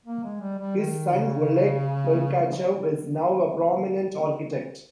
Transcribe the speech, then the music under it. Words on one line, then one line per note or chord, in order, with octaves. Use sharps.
His son Oleg Tolkachev is now a prominent architect.
A#3
G#3
G3
G3
D#3
C#3